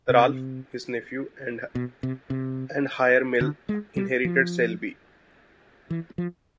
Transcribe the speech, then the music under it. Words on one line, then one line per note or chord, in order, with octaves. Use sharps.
Ralph, his nephew and heir male inherited Saleby.
C3
B2
C3
C3
D3
G#3
G3
F3
E3
F3